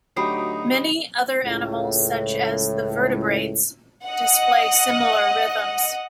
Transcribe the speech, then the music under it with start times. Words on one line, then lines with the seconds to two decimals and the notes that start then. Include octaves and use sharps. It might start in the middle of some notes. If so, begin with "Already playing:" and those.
Many other animals such as the vertebrates, display similar rhythms.
0.17 D2 F#3 D#4 G4 A#5 B5 D#6 C7
1.44 C#2 A2
4.06 D#5 F#5